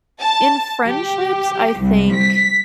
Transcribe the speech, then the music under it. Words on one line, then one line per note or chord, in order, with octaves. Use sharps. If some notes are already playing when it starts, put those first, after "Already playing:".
in friendships, I think
A5
G4
C2
B6